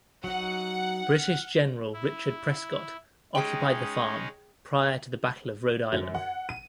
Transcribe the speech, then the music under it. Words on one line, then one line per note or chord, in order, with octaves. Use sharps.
British General Richard Prescott occupied the farm prior to the Battle of Rhode Island.
F#3 D#4 F#5
F6 F#6
E4
G#3 C#4 D#4 G#4 G5
F#2
F#5
D#7